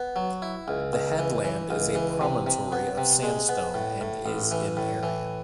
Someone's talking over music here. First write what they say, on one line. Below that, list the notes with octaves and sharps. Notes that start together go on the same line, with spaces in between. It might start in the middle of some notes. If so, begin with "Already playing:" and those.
The headland is a promontory of sandstone and is in area.
Already playing: B3
F#3
E4
C#2
C#2
E3
E3
C#2
E3
C3
C3
B3
C3
G#3
B3
A2
A2
A1
E3
A2
E3